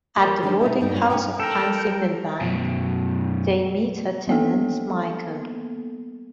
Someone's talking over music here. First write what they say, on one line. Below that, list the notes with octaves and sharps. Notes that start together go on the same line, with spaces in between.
At the boarding house of Pansy Milbank, they meet her tenant Michael.
A#3 G4
D#3 F#3 G#3 D4 F4 C5
B2 B3 D#4 E4
G2 D#4 G5
C#4 F4
C3 F3 C#4 D#4 G5
A4 A#4 G5
F#2 B2
G3 A#3 B3 A4